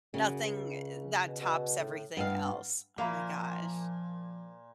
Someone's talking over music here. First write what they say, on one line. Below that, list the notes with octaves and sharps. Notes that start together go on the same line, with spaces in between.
Nothing er, that tops everything else. Oh, my gosh.
F#2 C#3
C#2
B2
B2
A2
G2 B3 F5
A#2 F3 A#3 E5 F5 B5